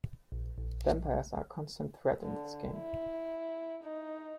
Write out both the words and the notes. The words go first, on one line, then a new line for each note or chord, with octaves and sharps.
Vampires are a constant threat in this game.
A#1
A#1
D3
E4
D#4